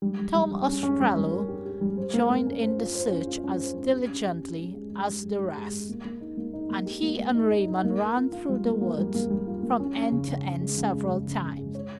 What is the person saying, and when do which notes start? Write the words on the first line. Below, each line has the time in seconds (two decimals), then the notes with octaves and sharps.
Tom Ostrello joined in the search as diligently as the rest, and he and Raymond ran through the woods from end to end several times.
0.02 G3
0.19 G3
0.35 G3
0.51 G3
0.67 C#4
0.83 C#4
1.00 G3
1.16 G3
1.32 A#4
1.48 G4
1.65 G4
1.81 G3
1.98 C5
2.14 A#3
2.30 A#3
2.47 C#4
2.62 C5
2.79 F4
2.95 C5
3.11 C#4
3.27 F4
3.44 C#4
3.60 C5
3.77 C#4
3.93 G4
4.09 C#4
4.26 G4
4.42 C#4
4.58 C#4
4.74 G#3
4.90 G#3
5.08 G4
5.23 G#3
5.39 G4
5.57 G#3
5.72 G#3
5.89 A#3
6.05 A#3
6.21 D#4
6.37 A#3
6.53 D#4
6.70 A#3
6.86 G4
7.02 A#3
7.19 A#3
7.35 D#4
7.51 D#4
7.67 D#4
7.84 A#3
8.00 A#4
8.17 F4
8.32 F4
8.49 G3
8.66 A#3
8.81 A#3
8.98 G3
9.15 A#3
9.30 G3
9.47 F4
9.63 A#3
9.80 C#4
9.96 C#4
10.12 C#3
10.28 C#3
10.45 C#3
10.61 G#3
10.77 C#3
10.93 G#3
11.10 C#3
11.26 C#3
11.43 C#3
11.59 G#3
11.75 C#5